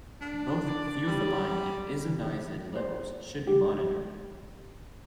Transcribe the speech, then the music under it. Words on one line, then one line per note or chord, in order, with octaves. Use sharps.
Both theophylline and isoniazid levels should be monitored.
D4
D5
G3
C5
G4